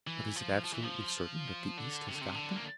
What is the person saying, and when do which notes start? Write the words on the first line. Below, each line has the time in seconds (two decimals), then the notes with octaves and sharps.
"But is it absolutely certain that the East has got them?"
0.07 E3
0.36 F3
0.64 F3
0.73 E3
0.83 F3
1.78 D3
2.07 C3
2.15 D3
2.21 C3
2.34 D3
2.56 A#3